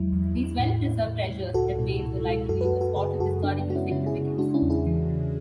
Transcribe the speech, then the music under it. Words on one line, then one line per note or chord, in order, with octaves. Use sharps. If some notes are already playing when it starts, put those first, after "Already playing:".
These well-preserved treasures have made the library a spot of historical significance.
Already playing: E2 F#3 G#3 E4
E2
E2
A2
A2
A2
A2
C#2 F#4 A4
B2
B2
G#3
F#2 F#4 A4
B4
F#4 A4
F#2
F#4 A4
C#3 G#4 B4
F#2 F#4 A4
C#3 B3 D4
B3 D4
G#3 F#4
C#4 E4
C#3 C#4 E4
E4 G#4
C#3
G#3 D4 F#4
C#4 E4
E2
E4 G#4
E3
C#3